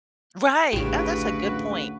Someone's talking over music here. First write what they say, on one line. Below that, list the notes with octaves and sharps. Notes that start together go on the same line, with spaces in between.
Right, oh, that's a good point.
A1 D2 C#3 F#4 G4 B4 D7